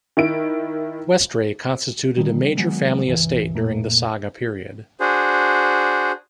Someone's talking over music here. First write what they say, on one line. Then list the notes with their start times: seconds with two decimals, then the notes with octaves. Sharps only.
Westray constituted a major family estate during the saga period.
0.17 D#3 E4 D7
2.17 D3 D#3 G3
2.57 D#3 F#3 G#3 B3
3.05 G1 C#2 C3 E3
3.54 F1 A#2 A3 A#3
4.99 D4 F#4 G#4 C5